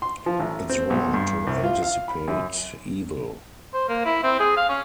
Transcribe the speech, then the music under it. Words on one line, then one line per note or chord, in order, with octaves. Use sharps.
It’s wrong to anticipate evil.
C6
F3
A1
C4
B1
G2
C2
F4
F5
B5
F#2
C5
A#3
E4
C4
G#4
F5
C#4